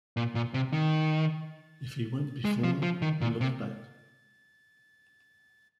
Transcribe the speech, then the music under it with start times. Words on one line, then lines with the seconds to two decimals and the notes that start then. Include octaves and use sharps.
If he went before, he looked back.
0.17 A#2
0.35 A#2
0.54 C3
0.73 D#3
2.45 G#3
2.64 F3
2.83 F3
3.02 D#3
3.21 A#2
3.41 C3